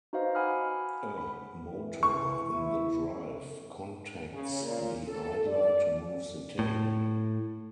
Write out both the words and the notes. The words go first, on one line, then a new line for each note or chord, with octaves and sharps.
A motor in the drive contacts the idler to move the tape.
D#4 F#4 B4 C5 D#5 F5
F#5 G#5 B5 D6 D#6 F6
B5
E3
C#6
E4
C#3
A#2
A4
D5
A2